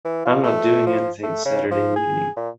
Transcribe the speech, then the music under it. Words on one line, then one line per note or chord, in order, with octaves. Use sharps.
I'm not doing anything Saturday evening.
E3
F4
A3
F3
A3
C#3
F3
G#4
A#2